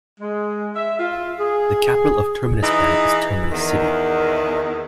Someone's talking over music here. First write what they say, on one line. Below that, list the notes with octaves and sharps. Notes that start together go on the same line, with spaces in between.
The capital of Terminus Planet is Terminus City.
G#3
E5
F4
G#4
E3 D#4 G#4
E2 D#3